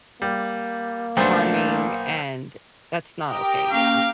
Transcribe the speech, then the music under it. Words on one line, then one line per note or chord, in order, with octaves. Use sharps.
harming, and that's not OK, yeah.
G3 A#3
B1 A3 D4 C5
G4 A#4 G5 D#6
A#3 C#4 F5